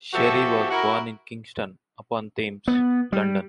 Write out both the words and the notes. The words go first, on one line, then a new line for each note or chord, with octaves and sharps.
Sherry was born in Kingston upon Thames, London.
F3 B3 F#4 G4 A4 E5
E4 F#4 A#4
B3
G3